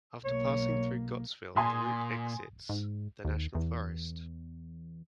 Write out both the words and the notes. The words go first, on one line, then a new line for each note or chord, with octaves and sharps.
After passing through Gottsville, the route exits the national forest.
B1 A#3 C#5
A#2 G#5 C6 D#6
G#2
D#2
E2